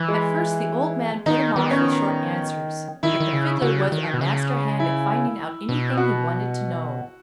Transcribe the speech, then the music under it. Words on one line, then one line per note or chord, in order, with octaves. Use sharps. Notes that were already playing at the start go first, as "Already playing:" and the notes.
At first the old man put him off with short answers, but the Fiddler was a master-hand at finding out anything he wanted to know.
Already playing: E3
G#3
D#3 D#4
D#3 B3
C#4
D#3 E4
D#3
C#3
C#3 F#4
D#3
B2
C#3
E4
B2
F#4